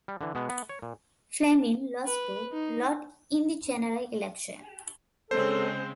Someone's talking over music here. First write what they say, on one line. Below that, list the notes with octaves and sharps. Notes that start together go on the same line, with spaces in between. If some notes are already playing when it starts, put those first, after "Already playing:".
Fleming lost to Lott in the general election.
G3
D3 E3
B2 G#3 B3
B3
C#5
A#2
B4
D#4
C#3 G#3 C4 A4 C5 C#5